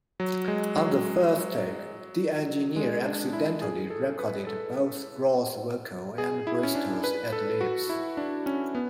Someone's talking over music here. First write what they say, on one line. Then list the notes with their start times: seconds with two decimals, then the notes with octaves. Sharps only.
On the first take, the engineer accidentally recorded both Ross's vocal and Bristol's ad-libs.
0.20 F#3
0.48 G#3
0.77 F#3
2.76 G#3
3.05 D4
3.33 E4
3.62 G#4
3.90 A4
4.19 B4
4.47 A4
6.18 G#4
6.47 E4
6.63 C#4
6.75 D4
7.04 B4
7.33 A4
7.61 F#4
7.90 E4
8.17 D4
8.46 C#4
8.75 B3